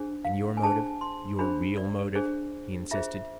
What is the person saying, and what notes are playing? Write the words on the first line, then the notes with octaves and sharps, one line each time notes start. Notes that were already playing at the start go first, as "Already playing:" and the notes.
"And your motive--your real motive?" he insisted.
Already playing: D4 G#4 C5
F5
G#5
D4 G#4 C5 A5
C6
D4 G#4 C5 B5
D5
D4 G#4 C5
F4 G#4 C5 E5